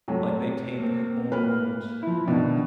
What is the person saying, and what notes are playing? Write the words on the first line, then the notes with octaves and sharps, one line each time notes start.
like they take old
C3 F#3 A3
A#3 C4
A#3 B4 B5 F6
F3 E4
B2 D#3 D4